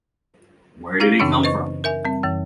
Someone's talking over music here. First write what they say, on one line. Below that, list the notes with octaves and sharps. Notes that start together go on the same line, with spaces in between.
Where did he come from?
C#4 E4 G4 F5
F#2 C#3 E3 C4 D4 D#4
B4 C5 D#5 C#6
A#4 E5 G#5
G3 C4
F#2 E3